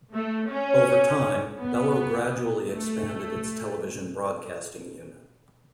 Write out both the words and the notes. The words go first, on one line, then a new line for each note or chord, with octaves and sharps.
Over time, Belo gradually expanded its television broadcasting unit.
A3
C#4
B3
A3